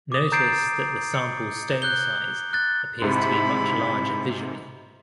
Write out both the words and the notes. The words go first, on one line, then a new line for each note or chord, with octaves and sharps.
Notice that the sample’s stone size appears to be much larger visually.
D6 D#6
A#5 G6 A6 C7 D7
C#7
F#6 G6 G7
F#6 A6
G#2 C3 E4 B5